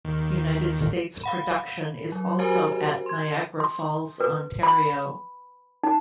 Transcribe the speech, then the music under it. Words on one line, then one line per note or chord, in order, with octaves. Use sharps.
United States production is also at Niagara Falls, Ontario.
D#2
F5 F#5 B5
F#3
F#4 G4 A#4 C5 G#5
C6 G#6
C6
B4
B5
D#4